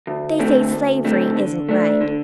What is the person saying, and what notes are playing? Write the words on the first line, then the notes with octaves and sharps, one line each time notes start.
"They say slavery isn't right."
D2
D3 A3 C4
D2
D3 A3 C4
D3
A3 D4
D3